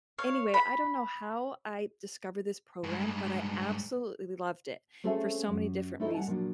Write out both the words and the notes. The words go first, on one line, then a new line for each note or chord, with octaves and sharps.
Anyway, I don't know how I discovered this program, but I absolutely loved it for so many different reasons.
C#5 F5
B5
G2 G#3
A3 C4 C#4 G#4 A4 E5
F#2
A3 D#4 E4 A4 C#5 D#5
G3 F#5 G#5 A5
A#2 F3 F#3 D4